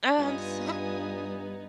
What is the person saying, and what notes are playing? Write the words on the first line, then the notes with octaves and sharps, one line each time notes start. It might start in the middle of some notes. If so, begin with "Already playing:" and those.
Oh, I'm so
G2 B3 D#4 F4 G#5 D#6